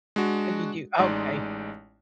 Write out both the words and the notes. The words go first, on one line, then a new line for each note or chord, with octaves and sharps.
Oh, you do? Okay.
G#3 D4 F#4
A1 G#3 D#4 D5 C6